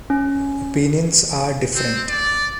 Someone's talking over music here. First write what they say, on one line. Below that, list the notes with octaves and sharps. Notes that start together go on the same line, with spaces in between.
Opinions are different.
C#4
C4
D5